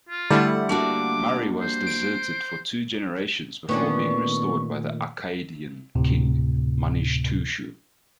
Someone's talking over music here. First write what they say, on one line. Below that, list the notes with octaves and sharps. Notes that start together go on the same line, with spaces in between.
Mari was deserted for two generations before being restored by the Akkadian king Manishtushu.
F4
D3 G3 A3 E4 F#5
A#3 D4 F#4 D6
C5
D7
A#2 D#3 A3 B3 C#4 D4 C#6
D2 A2 C3